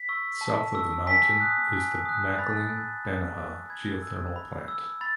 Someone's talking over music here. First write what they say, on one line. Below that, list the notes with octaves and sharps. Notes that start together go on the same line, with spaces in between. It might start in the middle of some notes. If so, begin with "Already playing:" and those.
South of the mountain is the Makiling-Banahaw Geothermal Plant.
Already playing: B6
C#6 E6
A5
C#6 E6
G#5 B6
D#6 F#6
G#5
D#6 F#6
B5 A6
E6
B5
E6
B5 G#6
E6
B5
E6
B5 A6